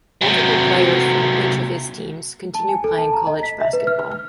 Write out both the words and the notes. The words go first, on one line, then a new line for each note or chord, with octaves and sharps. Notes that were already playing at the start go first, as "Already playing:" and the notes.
Multiple players from each of his teams continue playing college basketball.
C3 F#3
A5
G#5
A4
A5
A#5
D#5
B6
E5
B4
F6
F6
F6